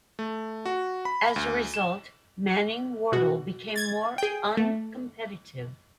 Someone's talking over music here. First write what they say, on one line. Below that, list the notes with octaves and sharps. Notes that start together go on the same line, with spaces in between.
As a result, Manning Wardle became more uncompetitive.
A3
F#4
B5
D2
E7
B2 F#4
G#6 A6
G#4 G5
A3